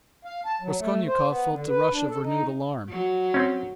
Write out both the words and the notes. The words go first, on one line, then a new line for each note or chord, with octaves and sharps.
Raskolnikov felt a rush of renewed alarm.
F5
A5
F#3
A3
C5
B3
D3
B4
D4
A4
D#4
F#3
C4 C#4